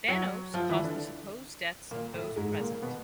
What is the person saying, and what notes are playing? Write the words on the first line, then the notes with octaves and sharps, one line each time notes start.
Thanos caused the supposed deaths of those present.
F#3 F#4
F3 F4
E3 E4
D3 D4
A#2 A#3
A2 A3
G#2 G#3
A#2 A#3
A#3
B2 B3